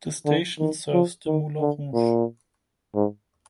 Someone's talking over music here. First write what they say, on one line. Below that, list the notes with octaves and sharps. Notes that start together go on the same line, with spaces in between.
The station serves the Moulin Rouge.
D3
D#3
F3
D#3
D3
A#2
G#2